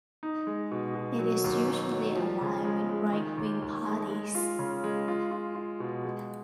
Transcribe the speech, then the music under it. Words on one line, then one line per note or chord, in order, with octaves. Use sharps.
It is usually aligned with right-wing parties.
D#4
G#3
B2
B2
F#3
D#2
F#3
F#3
F3
C#3
G#3
G#3
D#3
D#2
D#2
G#3
G#3
F4
C#3
G#3
F4
F4
F4
B2
G#3